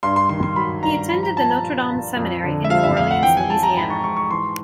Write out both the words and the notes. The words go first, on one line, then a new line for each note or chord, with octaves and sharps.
He attended the Notre Dame Seminary in New Orleans, Louisiana.
G2 C6
C6
D#3 C6
C6
F#3 B5
G2 A#5
F3 B5
A#5
F3 A5
A#5
A#2
A#2
F2
D3
E5
F3 F5
E5
F2 F5
F#5
E3 G5
G#5
E3 A5
A#5
G#2 B5
C#6
G#2 C#6
C#6
E3 C6